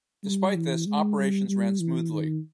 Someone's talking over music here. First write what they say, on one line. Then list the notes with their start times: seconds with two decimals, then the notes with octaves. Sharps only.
Despite this, operations ran smoothly.
0.24 G3
0.55 E3
0.86 G#3
1.17 G3
1.48 G3
1.80 E3
2.11 D#3